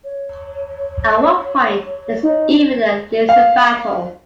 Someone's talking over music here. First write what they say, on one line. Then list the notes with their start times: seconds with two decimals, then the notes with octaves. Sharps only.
At one point there is even a laser battle.
0.05 C#5
2.23 D#4
3.29 F5